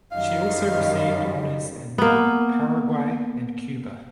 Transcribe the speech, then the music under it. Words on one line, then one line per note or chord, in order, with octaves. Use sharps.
She also received honors in Paraguay and Cuba.
F#2 D#3 G3 D#5 F5
A#3 B3